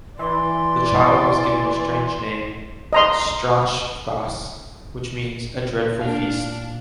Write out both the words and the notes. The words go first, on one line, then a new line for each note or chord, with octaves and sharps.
The child was given a strange name: Strachkvas, which means "a dreadful feast".
E3 D5 C6
D#5 A#5 C6
A#2 D4 F5